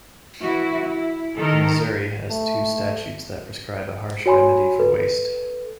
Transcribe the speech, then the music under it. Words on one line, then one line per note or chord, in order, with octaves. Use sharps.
Missouri has two statutes that prescribe a harsh remedy for waste.
E3 E4 F#4
E4
D#3 A4 A#4
A3
F#4 C#5 G#5 B5 C6
A4 B4